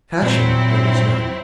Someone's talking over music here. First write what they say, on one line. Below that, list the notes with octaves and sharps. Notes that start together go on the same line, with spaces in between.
Passion there was none.
A#2 F#3 C4 E4